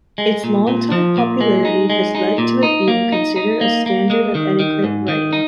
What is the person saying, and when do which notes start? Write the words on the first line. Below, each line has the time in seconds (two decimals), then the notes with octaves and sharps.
Its longtime popularity has led to it being considered a standard of etiquette writing.
0.18 G#3
0.44 A#2
0.68 A#2
0.92 F3
1.17 A#2
1.41 G#3
1.65 D#4
1.90 G#3
2.15 D#4
2.38 A#2
2.63 D#4
2.88 A#3
3.12 D#4
3.36 D#4
3.61 A#3
3.86 A#3
4.10 G#3
4.35 D#3
4.59 D#3
4.84 G#2
5.08 D#3
5.33 D#4